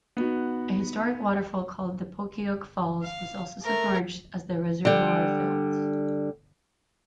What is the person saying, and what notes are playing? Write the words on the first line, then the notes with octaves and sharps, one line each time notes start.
A historic waterfall called the Pokiok Falls was also submerged as the reservoir filled.
B3 D#4 F#4
F5
A3 A#4
D3 G3